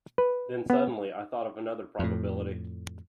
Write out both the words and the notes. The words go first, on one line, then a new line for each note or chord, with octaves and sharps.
Then suddenly I thought of another probability.
B4
B3
F2 A2